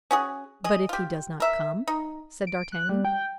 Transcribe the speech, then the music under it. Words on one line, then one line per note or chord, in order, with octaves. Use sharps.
"But if he does not come?" said d'Artagnan.
C#4 F#4 G#4
G#4 D#5
F4 G4
A#4 E5
D#4
D7
F#6
G3
G5